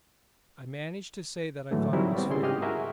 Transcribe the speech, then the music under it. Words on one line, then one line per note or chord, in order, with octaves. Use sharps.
I managed to say that I thought it was fair.
A2 D3 E3 F#3 G#3 A3
F#3 G3 C4 D#4 E4 A#4
G3 B3 C4
C#3 E4 G#4 C6
G#2 F#4 G4 D#5 C6 F6
E4 F#4 G#4 A#4 D#5 E5